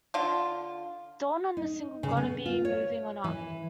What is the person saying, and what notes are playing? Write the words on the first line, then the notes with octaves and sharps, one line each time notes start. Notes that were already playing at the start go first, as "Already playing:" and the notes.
Dawn on the single "Gotta Be Movin' On Up".
D3 F4
D#4
C#3
B3
F4
C#5
E3